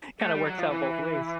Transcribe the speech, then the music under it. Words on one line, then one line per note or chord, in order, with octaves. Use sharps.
kinda works out both ways.
A3
G3
F#3
F3
E3